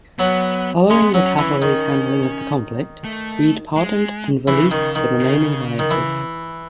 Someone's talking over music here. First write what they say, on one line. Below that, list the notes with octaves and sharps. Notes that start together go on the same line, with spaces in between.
Following the cavalry's handling of the conflict, Reed pardoned and released the remaining rioters.
F#3 B3
G#3 C#4
B3
F#3 C#4
C#4
E3
D#3
A3
G#3
C#3 E3
D#3
D#3
C#3
D#3
E3